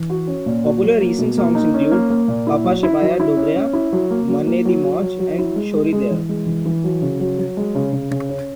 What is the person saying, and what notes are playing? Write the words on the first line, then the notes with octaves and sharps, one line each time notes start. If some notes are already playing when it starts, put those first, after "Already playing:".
Popular recent songs include "Pala Shpaiya Dogarya", "Manney di Mauj" and "Shhori Deya".
Already playing: E3
F#4
C#4
A#2
F#4
F#3
A#3
B2
A#3
D#4
C#4
A#3
A#3
A#2
E4
F#3
E4
F#3
E4
C#4
C#4
E4
F#3
A#3
F#3
A#3
F#3
F#4
F#3
F#3
E4
G#3
G#3
G#3
E3
G#3
E3
E3
F#3
C#3
F#3
F#3
G#3
C#3
C#3
C#3
C#4